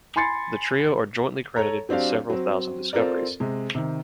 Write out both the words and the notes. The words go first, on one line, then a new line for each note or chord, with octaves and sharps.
The trio are jointly credited with several thousand discoveries.
G#5 B5 C6 A6 C#7
A4 C#5 A#5
F#3 C4 D4 G4 F5
F#3 C4
C4 F4 A4 A#4 D5
C3 G#3
C3 D#3